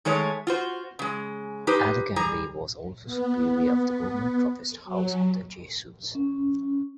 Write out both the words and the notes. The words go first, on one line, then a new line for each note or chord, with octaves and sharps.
Alegambe was also superior of the Roman professed house of the Jesuits.
D#3 G#3 A3 C#5
F4 F#4 C5
C#3 G#3
D#4 G4 B4 C5
G3 G#4 A#5
B3
F#3
C#4